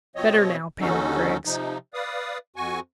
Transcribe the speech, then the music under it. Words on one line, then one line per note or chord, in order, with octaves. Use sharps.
"Better now," panted Griggs.
B2 F3 C4 C#5 D#5
D#2 D3 C#4 D#4 F#4 A4
C3 F3 D#4
B4 D5 F5 D#6
F2 F#4 G#5 C#6